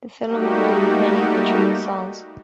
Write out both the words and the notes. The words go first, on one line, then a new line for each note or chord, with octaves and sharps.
The film included many of the trio's songs.
G3 A3 A#3 D#4 F#4 G4